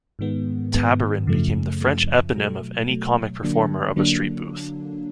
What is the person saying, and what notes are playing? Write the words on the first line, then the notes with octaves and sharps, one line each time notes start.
"Tabarin" became the French eponym of any comic performer of a street booth.
G#2 D#3 G#3 B3
G#2 D#3 G#3 B3
F#2 C#3 F3 A3
F#2 C#3 F3 A3
B2 F#3 A3
B2 F#3 A3
D3 F#3 A#3 D4
D3 F#3 A#3 D4